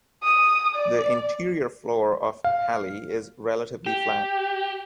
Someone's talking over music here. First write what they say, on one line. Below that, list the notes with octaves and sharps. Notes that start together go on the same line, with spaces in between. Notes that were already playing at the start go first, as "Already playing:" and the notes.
The interior floor of Halley is relatively flat.
D#6
D5
F5
G4